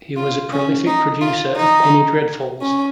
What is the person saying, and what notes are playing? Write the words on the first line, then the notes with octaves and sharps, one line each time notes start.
He was a prolific producer of penny dreadfuls.
F4
C#4
D#4
F4
D#4
C#4